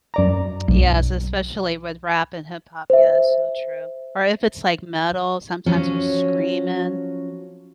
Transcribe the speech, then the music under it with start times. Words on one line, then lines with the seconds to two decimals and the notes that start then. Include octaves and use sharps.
Yes, especially with rap and hip hop, yeah, so true. Or if it's, like, metal, sometimes we're screaming
0.14 F#2 D5 A#5
0.68 B1
2.90 C5 E5
5.66 F3 F#3 C#4